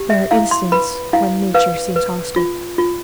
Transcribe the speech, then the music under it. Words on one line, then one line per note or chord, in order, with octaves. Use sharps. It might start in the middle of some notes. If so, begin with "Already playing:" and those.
There are instants when nature seems hostile.
Already playing: G4
E5
E4 F5
C6
B4 B5
E4 F5
B4 F5
B4
F4
F4